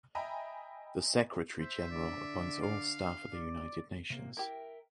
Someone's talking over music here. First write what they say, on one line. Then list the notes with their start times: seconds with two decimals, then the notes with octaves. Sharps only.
The secretary-general appoints all staff at the United Nations.
0.15 D#5 E5 G5 G#5 A#5 B5
1.60 C5 E5
1.90 D3 D5
2.62 F5
3.33 D5
4.10 C3 A#3
4.37 E4 G4 A#4 E5 G5